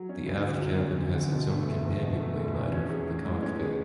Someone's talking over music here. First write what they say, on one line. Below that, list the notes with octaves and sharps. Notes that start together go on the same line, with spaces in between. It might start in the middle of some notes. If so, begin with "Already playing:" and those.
The aft cabin has its own companionway ladder from the cockpit.
Already playing: F#3
C#4
D2
D3
F#3
C#4
D2
D3
B2
A3
F#1
E2
B2
A3
F#1
E2
C#4
G#4
A2
G#3
C#4
G#4